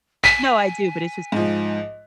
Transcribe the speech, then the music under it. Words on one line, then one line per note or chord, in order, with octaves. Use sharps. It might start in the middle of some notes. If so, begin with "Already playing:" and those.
No, I do, but it's just funny.
G#5 B6
G#2 F3